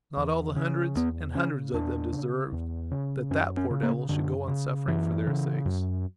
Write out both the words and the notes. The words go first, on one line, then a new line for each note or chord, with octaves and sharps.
Not all the hundreds and hundreds of them deserved that that poor devil should go on suffering for their sakes.
E2
C#3
E2 B3
C#3 C#4
E2 D4
C#3
E2
C#3
F#2 C#4
C#4
C#3
A#3
F#2 D3
C#3
F#2 E3
C#3
F#2